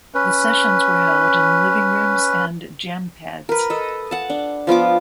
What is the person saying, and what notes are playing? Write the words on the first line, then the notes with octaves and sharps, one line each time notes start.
The sessions were held in living rooms and jam pads.
C#4 B4
A#4 B4
A4 D#5
F#5 A5
D4
F3 B3 F4 D6